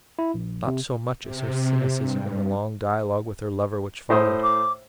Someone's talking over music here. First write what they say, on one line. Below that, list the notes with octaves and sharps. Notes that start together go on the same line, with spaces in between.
But not so much as her cynicism in the long dialogue with her lover which followed.
E4
A#1
C3
C3
G2
A2 C5 D#6
D6